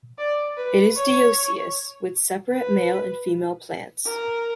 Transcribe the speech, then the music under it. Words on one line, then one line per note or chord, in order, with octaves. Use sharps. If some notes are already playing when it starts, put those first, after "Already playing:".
It is dioecious, with separate male and female plants.
D5
B4
C#5
B4
A#4